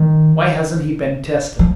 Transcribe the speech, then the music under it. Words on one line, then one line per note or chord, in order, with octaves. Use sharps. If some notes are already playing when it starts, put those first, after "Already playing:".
Why hasn't he been tested?
Already playing: D#3
F3